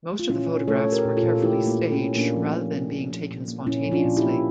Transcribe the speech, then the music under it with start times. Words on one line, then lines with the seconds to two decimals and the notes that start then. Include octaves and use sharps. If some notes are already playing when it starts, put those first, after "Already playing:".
Most of the photographs were carefully staged rather than being taken spontaneously.
0.11 A3
0.19 F4
0.29 A#2 C#4 E4
0.49 A#2
0.67 A3 A4 C#5
0.85 A3
0.92 G4 A#4
1.05 A#2
1.17 F4 A4
1.23 A#2
1.42 A3 E4 G4
1.61 A3
1.67 A#3
1.80 A#2
1.92 C#4
1.98 A#2
2.17 A#2 A#3 D4
2.36 F3
2.54 A#2
2.73 A#3
2.92 A#2
3.10 F3
3.30 A#2
3.48 A#3
3.66 A#2 C#4 E4
3.86 F3
3.91 D4 F4
4.04 A#2
4.17 E4 G4
4.23 A#3